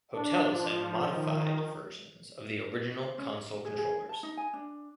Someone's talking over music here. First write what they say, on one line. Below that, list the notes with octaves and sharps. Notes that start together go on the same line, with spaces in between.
Hotels had modified versions of the original console controllers.
D4
F3
D#3
C5
C#4
D#5
G#4
G#4
A5
D#4
G#5
D4